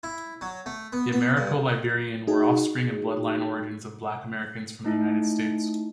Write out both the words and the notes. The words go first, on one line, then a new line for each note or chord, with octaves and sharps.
The Americo-Liberian were offspring and bloodline origins of black Americans from the United States.
E4
F#3
A3
B3
B3
G2
D#4 F#4 G#4
A3 D#4 E4